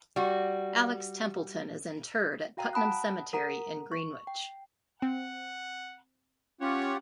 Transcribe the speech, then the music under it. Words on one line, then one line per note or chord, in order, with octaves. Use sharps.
Alex Templeton is interred at Putnam Cemetery in Greenwich.
G3 F#4
F#4 F5 G5 A#5
F#5 A5 B5 D#6 F#6
A#4 F#5 A#5
C#6
G5
C4 F#5
C#4 F4 G4 C#5 F#5